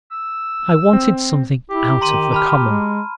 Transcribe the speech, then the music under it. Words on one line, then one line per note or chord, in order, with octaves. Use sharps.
I wanted something out of the common.
E6
C4
E4 G4
D#3 A#5 C6 D#7
A5 B5 F6
G#3